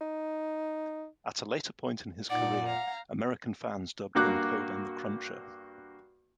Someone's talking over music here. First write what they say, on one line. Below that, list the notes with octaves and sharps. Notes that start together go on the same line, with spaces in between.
At a later point in his career, American fans dubbed him Coban The Cruncher.
D#4
A#2 D#4 D5 F#5
F5 A#5
G2 A#3 F#4 D6 F#6